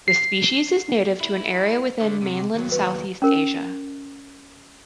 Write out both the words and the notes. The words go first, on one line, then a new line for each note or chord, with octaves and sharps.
The species is native to an area within Mainland Southeast Asia.
C7
E4
D3 A3
C3
D#2 F#3
B4
C#4 A#4